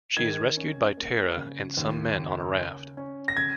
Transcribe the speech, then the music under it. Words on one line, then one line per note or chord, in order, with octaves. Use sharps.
She is rescued by Tara and some men on a raft.
D#3 G#6
C#4
A#3
C#3
D#2
C#3
C#4
C#4
A#6
C#3 G#6